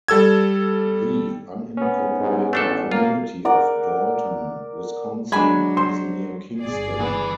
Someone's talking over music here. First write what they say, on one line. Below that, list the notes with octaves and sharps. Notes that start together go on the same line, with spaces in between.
The unincorporated community of Dalton, Wisconsin is near Kingston.
G3 A4 E6 G#6
B3 C#4
G#2
A1 A3 D4 A4
A#3 F4
A#4 D5 F#5
F#3 G#3 D4 G#5 B5 G#6
C5 C6
G1 G#4 D5
E3 B4